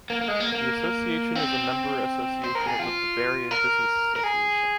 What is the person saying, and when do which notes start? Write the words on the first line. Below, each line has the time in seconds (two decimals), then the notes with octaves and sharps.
The association is a member association of the Bavarian Business Association.
0.10 A#3
0.21 A#3
0.28 G#3
0.40 A#3
0.52 A#3
1.35 C4
2.44 C5
2.55 A#4
2.67 G#4
2.79 F4
3.51 A#4
4.16 A#4
4.24 G#4